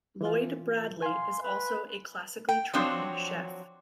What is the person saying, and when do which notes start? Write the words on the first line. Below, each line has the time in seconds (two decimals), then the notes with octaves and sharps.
Lloyd Bradley is also a classically trained chef.
0.21 E3 F4
1.02 F5 G#5 C6
1.43 B4
2.49 G5
2.73 F3 F#3 C4 D4